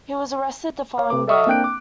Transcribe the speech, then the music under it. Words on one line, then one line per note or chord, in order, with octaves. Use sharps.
He was arrested the following day.
C#5 F5
C3 B4 D6
A4 D#5 E5 C#6 D#6 F6
A#3 C4 D4 G5 F#6 D7
D6